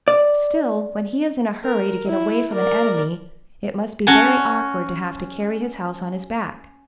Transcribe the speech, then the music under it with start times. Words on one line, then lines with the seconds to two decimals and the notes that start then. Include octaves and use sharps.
Still, when he is in a hurry to get away from an enemy, it must be very awkward to have to carry his house on his back.
0.08 D5
1.64 A#4
2.07 E4
2.53 A#4 D5
4.07 C#4 F#4 C#5 A5